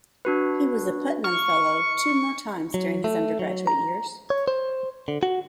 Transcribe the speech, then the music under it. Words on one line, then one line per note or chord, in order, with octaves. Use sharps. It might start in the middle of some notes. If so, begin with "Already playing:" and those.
He was a Putnam Fellow two more times during his undergraduate years.
D4 F#4 B4
C#6 F6
F#3
A3
F#3
A#5
C#5
C5
D3
F#4